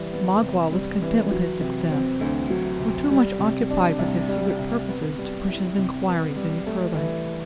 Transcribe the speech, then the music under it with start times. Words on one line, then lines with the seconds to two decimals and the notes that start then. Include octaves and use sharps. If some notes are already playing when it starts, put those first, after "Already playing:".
Magua was content with his success, or too much occupied with his secret purposes to push his inquiries any further.
Already playing: E3 G3
0.13 B3
0.42 C3
0.72 G3
1.02 E3
1.31 F#3
1.60 C3
1.91 C4
2.21 D2
2.50 F#3
2.80 C3
3.10 G3
3.39 C3
3.70 D4
3.99 C2
4.28 G3
4.59 C3
4.88 B3
5.18 G3
5.47 E4
5.78 C3
6.07 B3
6.36 G3
6.67 A3
6.96 E3